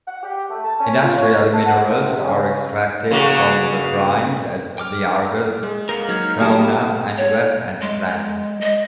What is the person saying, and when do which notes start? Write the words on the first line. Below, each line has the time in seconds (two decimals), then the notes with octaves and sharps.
Industrial minerals are extracted from the brines at the Argus, Trona and Westend plants.
0.08 F#5
0.23 G4
0.50 A3
0.65 A5
0.80 C#4
1.03 F4
1.17 C#5
1.53 A4
1.66 F#5
1.85 C#2
2.03 C3
2.23 C#3
3.11 C#3 A#3 F#4
4.78 G5 D6 F6
5.63 G#3
5.89 A#3 A#4 C5 D#5 F5 F#5
6.09 F#3 D#4 C5 F6 G#6
6.40 G3 G#3 A#3 B3 F4 D#5 A5
7.18 C#5
7.81 G#3
8.61 D#5